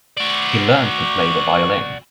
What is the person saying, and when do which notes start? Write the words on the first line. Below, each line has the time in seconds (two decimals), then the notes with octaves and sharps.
He learned to play the violin.
0.17 F#4 D5